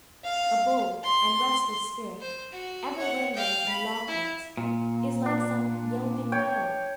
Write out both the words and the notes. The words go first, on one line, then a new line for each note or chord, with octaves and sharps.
A bold and restless spirit, ever wrangling in law-courts, is like some yelping cur.
F5
C6
C5
F#4
C#5 F#5
F5 G5
B5
E4
A#2
D4
C#5 G5